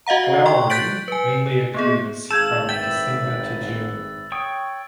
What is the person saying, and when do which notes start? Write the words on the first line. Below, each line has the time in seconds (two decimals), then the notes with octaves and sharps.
Flowering mainly occurs from December to June.
0.07 F#4 D#5 F5 F#5 A#5
0.46 G5 C6 C#6
0.70 F#6 G6 A6 B6 D7 F#7
1.08 B4 G#5
1.74 A#3 B3 G#4
2.31 G#1 G#4 F5 A5 E6 G6 G#6
2.69 B4 E5 G5 A6
4.32 C#5 G5 C#6 D#6